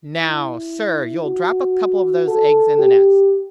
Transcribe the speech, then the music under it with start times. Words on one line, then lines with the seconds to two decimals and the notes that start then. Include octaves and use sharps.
"Now, sir, you'll drop a couple of those eggs in the nest."
0.19 E4
1.23 F#4
2.27 A4
2.79 G4